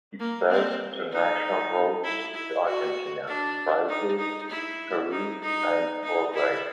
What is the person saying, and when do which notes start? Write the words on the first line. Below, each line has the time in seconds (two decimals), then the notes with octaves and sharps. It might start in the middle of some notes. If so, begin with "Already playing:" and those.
It serves international routes to Argentina, Brazil, Peru and Uruguay.
0.20 A#3
0.50 C4
1.12 D#4
2.04 E4
2.35 E4
2.65 F#4
3.27 D4
3.88 D#4
4.18 D#4
4.49 E4
5.11 D#4
5.42 D#4
6.03 D#4
6.34 E4